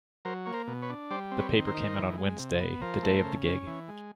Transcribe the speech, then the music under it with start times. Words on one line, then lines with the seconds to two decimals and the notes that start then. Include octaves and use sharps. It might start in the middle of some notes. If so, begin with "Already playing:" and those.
The paper came out on Wednesday, the day of the gig.
0.25 F#3 A#4 C5
0.45 A#3 C#5
0.54 A#4 C5
0.68 B2
0.82 B4 C#5
0.89 D4
1.11 G3 C5 D5
1.31 C4
1.39 B4 C#5
1.53 D#3
1.67 A#4 C5
1.75 D#4
1.96 E3
2.18 G#3
2.39 C3
2.60 B3
2.81 F3 A#4 C5
3.03 A3
3.24 C#3
3.45 C#4
3.67 E3
3.88 G#3